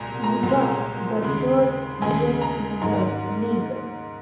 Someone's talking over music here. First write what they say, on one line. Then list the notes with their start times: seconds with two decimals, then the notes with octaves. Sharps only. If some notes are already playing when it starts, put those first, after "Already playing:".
Liga, the third-highest in the league.
Already playing: C2 A#2 G#3 A#5
0.24 A#5
0.43 C2 A#2 G#3
1.23 D#2 C#3 G#3
2.02 D#2 C#3 G#3 G#5
2.41 A#5
2.81 G#2 D#3 A#3 A#5